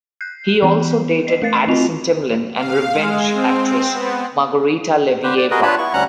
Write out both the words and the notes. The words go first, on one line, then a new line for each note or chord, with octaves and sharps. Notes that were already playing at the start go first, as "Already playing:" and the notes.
He also dated Addison Timlin and "Revenge" actress Margarita Levieva.
F#6 G6 C7
E3 B3
D#5 C7
A3 A#4 F5 A6 C7
C4 F4 F#4 D#5 F7
F5
G#3
C4
B3
D3 G4 B4 C5
D5
F#4 G#4 A#4 B4 D#5
D4 F4 B4 C#5 A5 B5
B3 E4 C#6
D2 G3 C#4 F#5 A#5 F#6